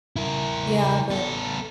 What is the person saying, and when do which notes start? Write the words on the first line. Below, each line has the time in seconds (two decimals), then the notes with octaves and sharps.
Yeah, but
0.16 E4 A#4
1.10 B3 A4